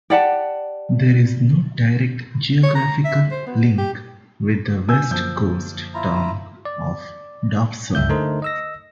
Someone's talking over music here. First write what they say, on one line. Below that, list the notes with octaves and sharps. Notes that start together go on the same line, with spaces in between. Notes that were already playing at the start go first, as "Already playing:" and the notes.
There is no direct geographical link with the West Coast town of Dobson.
G4 D5 F#5 A5
C#5
A#5
E5
C5
B3
G4
B2 D3 D4 G#5 E6 G6
F#2 D3 F3 A#3 G6
E4 F4 A#5
D5
C#2 G2 E5 G6
D3 A3 D#4 A4 A#4 C5
D#5 E6 A#6